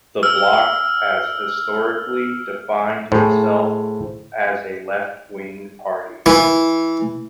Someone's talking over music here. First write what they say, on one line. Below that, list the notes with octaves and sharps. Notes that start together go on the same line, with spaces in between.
The Bloc has historically defined itself as a left-wing party.
E6 F6
A2 G#4 C5
E3